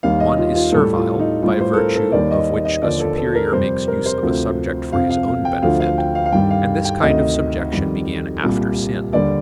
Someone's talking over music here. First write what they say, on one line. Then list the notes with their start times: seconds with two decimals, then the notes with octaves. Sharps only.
One is servile, by virtue of which a superior makes use of a subject for his own benefit; and this kind of subjection began after sin.
0.03 D#2 D#3 G3 F5
0.20 D#5
0.38 F4
0.55 F4
0.72 A2 G3 A4
0.96 F4
1.19 D#4
1.43 A2 G3 F4
1.61 C5
1.73 A4
1.78 A#4
1.95 A4
2.12 D#2 D#3 G3 D5
2.31 D#5
2.65 D#5
2.82 D#2 D3 F3 D5
3.00 A4
3.17 A4
3.35 A#4
3.52 F2 C3 G3 C5
3.88 A#4
4.06 C5
4.22 D2 C3 F3
4.92 F2 C3 F3 F5
5.10 F5
5.28 F5
5.45 G5
5.62 D2 D3 F3 F5
5.80 F5
5.98 G5
6.15 F5
6.26 F5
6.32 G2 D#3 G3 G5
6.50 F5
6.85 G5
7.02 D2 C3 D#3 D#5
7.72 F2 D#3 G3
8.43 C2 A#2 G3
9.13 D#2 D3 G3 D5